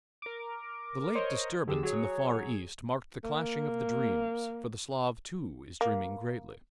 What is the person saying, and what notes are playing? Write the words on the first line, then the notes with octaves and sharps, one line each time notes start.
The late disturbance in the Far East marked the clashing of the dreams, for the Slav, too, is dreaming greatly.
A#4 D6
A#4 C5 C#5 D#5
D2 D3 G4 G#4 E6
F#3 G#4 C#5
A#3
A#3